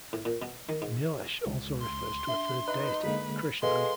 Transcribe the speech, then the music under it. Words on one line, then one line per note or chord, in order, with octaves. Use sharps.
Nilesh also refers to a third deity: Krishna.
A2
A#2
B2
D#3
G#2
C#2
C6
D4 E5 G7
D#4 B4 D#5
D3 G#3 A#3 B4 B6
B2 G#3 A4 B4 F5 C6